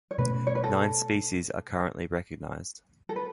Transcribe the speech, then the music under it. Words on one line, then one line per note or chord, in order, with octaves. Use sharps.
Nine species are currently recognized.
C#5
B2 A3 C#4 B4
C#5
B4
A4
A4
B4